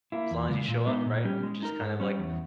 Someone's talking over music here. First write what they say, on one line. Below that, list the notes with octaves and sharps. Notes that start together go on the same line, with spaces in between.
As long as you show up, right, and just kind of, like,
A#3 E4
E2
C#3 G#3
A#2
G#3 B3 D#4
A#2
G3 C#4 G4
G#3
D#4 A#4
G#2
G3 C#4
E2